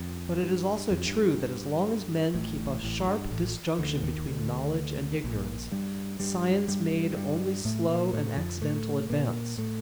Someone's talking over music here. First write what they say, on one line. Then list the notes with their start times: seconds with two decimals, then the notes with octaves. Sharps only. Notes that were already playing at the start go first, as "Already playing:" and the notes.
But it is also true that as long as men kept a sharp disjunction between knowledge and ignorance, science made only slow and accidental advance.
Already playing: F2
0.42 G2
0.91 F2
1.06 G2
1.22 G2
2.34 A1 A2
2.83 A1 A2
3.07 G2
3.31 A1 A2
3.79 D2 D3
4.03 D#2 D#3
4.28 D2 D3
5.24 A#1 A#2
5.72 G2 G3
6.20 G2 G3
6.68 G2 G3
7.16 G2 G3
7.65 A2 A3
7.89 A#2 A#3
8.13 A2 A3
8.37 F2 F3
8.61 A2 A3
9.10 A#2 A#3
9.58 A2 A3